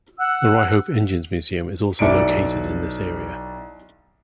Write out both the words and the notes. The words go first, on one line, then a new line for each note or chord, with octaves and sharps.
The Ryhope Engines Museum is also located in this area.
F#5 E6 F#6
B1 E4 D5 C#7 D7